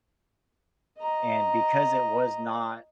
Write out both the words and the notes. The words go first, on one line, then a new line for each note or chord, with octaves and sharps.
And because it was not
D#5 A#5